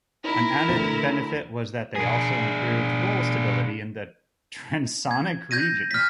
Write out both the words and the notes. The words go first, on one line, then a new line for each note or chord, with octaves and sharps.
An added benefit was that they also improved roll stability in the transonic region.
D#4 E4 A#4
D2
D4 G#4
G#6
G6 G#6 A#6 D#7
F6 B6